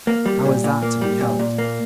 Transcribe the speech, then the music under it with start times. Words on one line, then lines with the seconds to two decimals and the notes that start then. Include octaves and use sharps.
How is that to be helped?
0.07 A#3
0.26 G3
0.45 A#2
0.64 A#2
0.82 A#3
1.01 G3
1.21 A#2
1.39 A#2
1.58 A#3